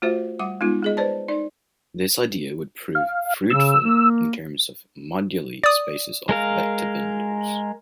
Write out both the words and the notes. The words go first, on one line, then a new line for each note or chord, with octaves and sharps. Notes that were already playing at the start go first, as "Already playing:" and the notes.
This idea would prove fruitful, in terms of moduli spaces of vector bundles.
A3 F4 F#4 C5 E5
G3 F#5 D6
G#3 B3 D#4 F4
G#3 G#4 D#5
B4 C5 D5 A5
D#4 D5
F5
C#3 E6
A#3
D5 D#6
G#3 A#4 F5